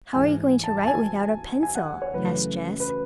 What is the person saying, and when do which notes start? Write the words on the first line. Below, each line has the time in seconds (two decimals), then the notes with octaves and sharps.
"How are you going to write without a pencil?" asked Jess.
0.13 G#2 E3 G#3 G#5
0.64 A5
0.77 A5
0.88 G#5
1.63 G#5
1.75 F#5
2.02 C#5
2.14 F#2 C#3 E3 A3 B4
2.80 B4